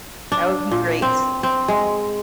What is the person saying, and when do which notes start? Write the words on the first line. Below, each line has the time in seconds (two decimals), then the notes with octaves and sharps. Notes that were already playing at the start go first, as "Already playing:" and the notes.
That would be great.
0.32 D4
0.71 A#2
1.02 C4
1.43 C4
1.68 G#3